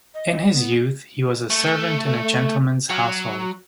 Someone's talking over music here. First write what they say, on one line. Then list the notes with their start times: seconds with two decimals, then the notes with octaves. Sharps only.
In his youth he was a servant in a gentleman's household.
0.14 D#5
0.53 B3
1.50 A3
2.90 F#3